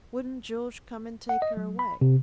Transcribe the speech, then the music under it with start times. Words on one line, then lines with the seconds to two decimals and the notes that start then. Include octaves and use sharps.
Wouldn't George come and take her away.
1.29 F#5
1.42 D#5
1.57 F#3
1.79 B5
2.01 C3